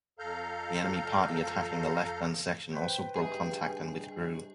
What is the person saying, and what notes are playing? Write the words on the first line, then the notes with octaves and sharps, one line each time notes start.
The enemy party attacking the left gun section also broke contact and withdrew.
F2 A4 F5 A#5 F6 G6
B4 C5 G5
G2 C3 D#4 G#4